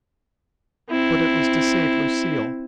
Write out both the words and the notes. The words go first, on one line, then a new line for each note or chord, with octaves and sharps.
But it was to save Lucille.
C4 E4